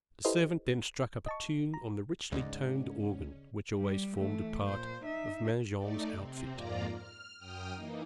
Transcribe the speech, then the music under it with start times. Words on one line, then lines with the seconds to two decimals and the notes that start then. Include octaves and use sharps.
The servant then struck up a tune on the richly-toned organ which always formed a part of Mangin's outfit.
0.25 E4 G4 A4 B4 C5 D#5
1.26 D#5 A5 C#6
1.74 A#5
2.32 D2 G#2 C#3 C#4 D5 D#5
3.77 G3
4.15 E3 A3
4.69 A#2 C5
5.04 D#4 E5
5.76 A3 D#4 D5
6.14 C3 C4
6.51 F2 G#2 A#3 F4 D5 A#5
6.93 F6
7.37 F#2 G5 D#6 F6
7.74 E3 A#3 D#4